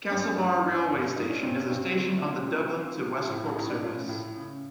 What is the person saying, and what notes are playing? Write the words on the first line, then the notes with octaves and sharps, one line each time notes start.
Castlebar railway station is a station on the Dublin to Westport service.
G2 C#4
G2
G2
G2
G2 D#4
C#4
G2 C4
C#4
G2 C4
D3
F3 C#4
C4
F3
C4
F3
F3
A2
A2 D#4
D4
F3 C#4
A2
C#3